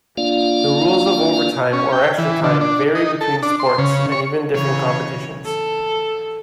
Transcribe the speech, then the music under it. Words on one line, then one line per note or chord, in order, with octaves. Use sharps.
The rules of overtime or extra time vary between sports and even different competitions.
A#3 D4 F4 D5 F5
C#4
G5
E3
D3
D4
D#4
A4
D4
C6
C#3
C#5
C#3 E3 C#5
A4